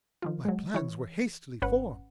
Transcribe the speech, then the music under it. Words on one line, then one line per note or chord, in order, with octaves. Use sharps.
My plans were hastily formed.
D#3 F3 F4
F#3 G#3
E3 C#5
G#1 C#4 B4 F#5